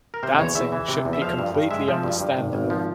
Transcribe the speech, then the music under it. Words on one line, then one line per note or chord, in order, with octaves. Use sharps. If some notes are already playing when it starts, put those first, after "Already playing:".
Dancing should be completely understandable.
A#4
C3 C5
E2 C#5
E2 E5
E3
C3
E2
E5
F3 F5
G2
G2
G#3 E5
F3
G2
G2
G#1
G#1
F3